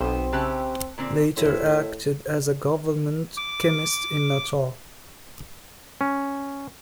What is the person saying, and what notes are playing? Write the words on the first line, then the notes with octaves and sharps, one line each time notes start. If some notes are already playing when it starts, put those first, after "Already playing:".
Later acted as a Government Chemist in Natal.
B1 B3 C4 C5
C#3 G4 E5 A5 E6 F#6
A#2 D3 C4
A2 E4 C5
D6
C#4